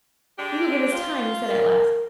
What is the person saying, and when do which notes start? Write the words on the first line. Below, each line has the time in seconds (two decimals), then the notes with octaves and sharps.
"You will give us time," he said at last.
0.38 G#3 D4 G4
0.92 F4
1.48 A#4